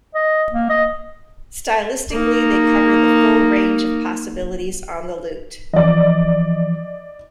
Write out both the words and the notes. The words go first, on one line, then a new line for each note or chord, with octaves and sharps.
Stylistically, they cover the full range of possibilities on the lute.
D#5
A#3
D#5
A#3 D#4
E3 F3 D5 D#5